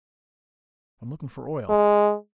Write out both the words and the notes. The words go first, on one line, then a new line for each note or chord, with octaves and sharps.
I'm looking for oil.
G#3